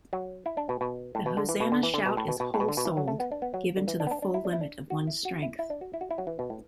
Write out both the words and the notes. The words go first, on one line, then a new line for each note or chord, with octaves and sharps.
The Hosanna Shout is whole-souled, given to the full limit of one's strength.
F#3
E4
D4
B2
B2
A2
B2
D3
E3
B2
D3
E3
D3
B2
A2
B2
B2
A2
B2
D3
B2
E3
F#3
A3
B3
D4
B3
F#3
D3
E3
D4
B3
D4
D4
E4
D4
E4
D4
F#4
E4
F#4
E4
E4
D4
F#4
E4
F#4
E4
F#3
E3
B2
A2